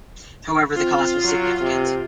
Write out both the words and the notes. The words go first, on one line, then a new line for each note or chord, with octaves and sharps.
However, the cost was significant.
C4 F4
F#3
C3